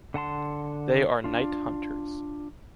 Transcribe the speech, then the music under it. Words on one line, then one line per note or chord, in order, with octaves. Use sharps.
They are night hunters.
D3 F#5 A5 C6
D4 F4